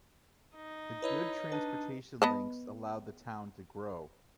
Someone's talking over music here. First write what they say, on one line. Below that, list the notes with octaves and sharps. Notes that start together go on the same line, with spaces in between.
The good transportation links allowed the town to grow.
D#4
E4 B4 C#5 D#5
D4 B4
B3 D#5 A5